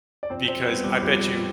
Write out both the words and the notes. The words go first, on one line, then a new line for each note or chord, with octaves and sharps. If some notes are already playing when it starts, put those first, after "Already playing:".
Because, I bet you,
D5
F2 C4 C5
C4 C5
E3 G3 B3 B4
G3 G4
F2 G3 G4